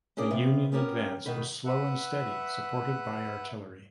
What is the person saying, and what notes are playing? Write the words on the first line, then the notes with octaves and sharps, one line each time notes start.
The Union advance was slow and steady, supported by artillery.
C#4 D4 G#4 A#4 D5
C3 B3 F4
B3 C#4 G4 A#4
B2 D#3 B4
B4 E5 F#5